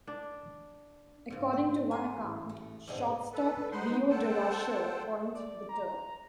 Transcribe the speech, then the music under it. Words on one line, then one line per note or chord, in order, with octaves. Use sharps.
According to one account, shortstop Leo Durocher coined the term.
D4
G#2 C#3
C5
F#5 G#5 C6
A1
A3
G#2 C3 B3 D4 G#4 D#5
A4 B4
D#4 B4 C5 F#5 C6
A4 C5 F#5 G5 A5
D5
A#5